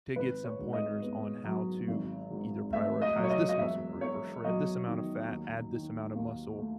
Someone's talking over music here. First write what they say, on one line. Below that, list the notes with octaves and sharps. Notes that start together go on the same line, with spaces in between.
to get some pointers on how to either prioritize this muscle group or shred this amount of fat, add this amount of muscle.
G#1 B4
C#5
G#2
D#5
B3
F#3
G#1
G#2
A3 E5
D#5
F#3
C#5
D#5
D#5
E1 E5
E2 C#5
F#3 D#5
D#3
D#2
D#3
D#2
A3